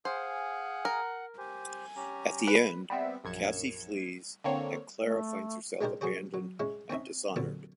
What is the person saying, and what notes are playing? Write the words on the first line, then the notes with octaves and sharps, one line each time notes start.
At the end, Cassi flees and Clara finds herself abandoned and "dishonored".
G#4 C5 F5 F#5 G#5
A#4
G4 C5 G#5
C#4 G4 A#5
B4
G3 B3 C4 E5
A#1 F#2 G#6 C#7 E7
D3 A#3 C4 C#5
A3
G#3 D4 D#4 G4 A#4 C5
F#3 F#4 G#4 B4 C5
F#3
G#3 C#4 E4
C4 C#4 D#4 E5
F2 A#2 D3 F3 F#3